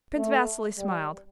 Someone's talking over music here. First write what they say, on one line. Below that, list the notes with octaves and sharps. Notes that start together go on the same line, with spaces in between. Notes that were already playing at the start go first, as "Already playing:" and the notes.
Prince Vasili smiled.
A3
G3